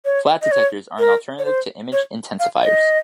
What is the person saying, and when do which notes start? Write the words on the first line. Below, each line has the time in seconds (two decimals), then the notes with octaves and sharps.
Flat Detectors are an alternative to Image Intensifiers.
0.05 C#5
0.42 D#5
0.52 C#5
0.99 A#4
1.39 C#5
1.45 C5
1.93 C#5
2.40 F5
2.63 D#5